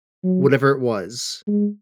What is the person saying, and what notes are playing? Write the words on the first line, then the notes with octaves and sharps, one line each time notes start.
whatever it was
F#3
G#3